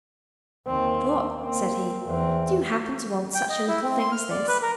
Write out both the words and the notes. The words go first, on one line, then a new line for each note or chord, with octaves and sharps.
Thorpe,' said he, 'do you happen to want such a little thing as this?
D#2 C4
A#3 C4
E2 C4
G5
D#5
E4
C4
C6
F6
D5
B4
A#4